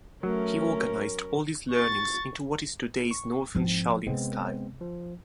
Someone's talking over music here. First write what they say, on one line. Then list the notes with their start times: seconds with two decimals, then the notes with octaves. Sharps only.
He organized all his learnings into what is today's Northern Shaolin style.
0.23 F#3 A3 C#4 A#4
1.71 C#6 A6
3.11 C#6
3.55 G#2 F3 C4 E4
4.07 C3 G#3 B3 C4
4.81 F3